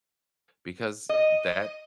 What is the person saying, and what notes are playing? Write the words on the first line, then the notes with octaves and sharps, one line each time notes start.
because that
D#5